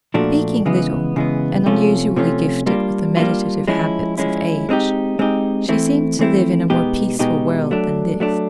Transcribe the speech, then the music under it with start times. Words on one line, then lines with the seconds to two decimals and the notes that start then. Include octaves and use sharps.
Speaking little, and unusually gifted with the meditative habits of age, she seemed to live in a more peaceful world than this.
0.14 A#2 F3 A3 D4 F#4
0.65 C#3 E3 G#3 B3
1.16 C#3 E3 G#3 B3
1.66 C3 F3 A3 C#4 F4
2.16 C3 F3 A3 C#4 F4
2.66 G3 A#3 D4 F4
3.17 G3 A#3 D4 F4
3.68 F3 G#3 C#4 E4
4.18 F3 G#3 C#4 E4
4.69 G#3 C4 D#4 G4
5.19 G#3 C4 D#4 G4
5.69 E3 A3 C4 E4
6.19 E3 A3 C4 E4
6.70 B2 G#3 B3 D#4 G4
7.19 B2 G#3 B3 D#4 G4
7.71 F#3 A3 D4
8.20 F#3 A3 D4